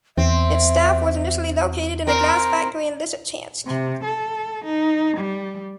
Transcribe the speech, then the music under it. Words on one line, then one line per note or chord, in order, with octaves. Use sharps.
Its staff was initially located in a glass factory in Lyssytchansk.
E2 C4 E5
C4 A#4 A#5
C3
A4
D#4
G3